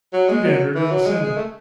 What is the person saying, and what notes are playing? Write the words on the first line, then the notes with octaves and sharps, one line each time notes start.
Jude entered and ascended.
F#3
G#3
F#3
E3
F#3
G#3
G#3
A3